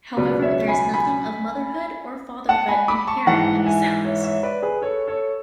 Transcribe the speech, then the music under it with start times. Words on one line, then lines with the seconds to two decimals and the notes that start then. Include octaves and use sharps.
However, there is nothing of motherhood or fatherhood inherent in the sounds.
0.16 C#2 B2 F#3 B4 D5
0.42 C#5 E5
0.67 G#5 B5
0.94 G#5 B5
2.49 F#5 A5
2.68 G#5 B5
2.88 B5 D6
3.07 A5 C#6
3.27 G#2 E3 F#5 A5
3.65 E5 G#5
4.05 C#5 E5
4.24 C#5 E5
4.43 B4 D5
4.62 G#4 B4
4.82 A4 C#5
5.08 A4 C#5